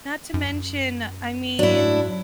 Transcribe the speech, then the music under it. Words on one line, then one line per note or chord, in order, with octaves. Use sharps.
Not to mention, I mean,
F#2
G#2 F#3 D4 E4